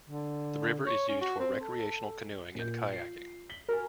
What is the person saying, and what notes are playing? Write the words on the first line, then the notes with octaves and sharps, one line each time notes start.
The river is used for recreational canoeing and kayaking.
D3
C#5
C#4
F#4
C4
A4
A#2 A#4 G6
F4 C7
B6 F#7 G7
F#4 A#4 G#5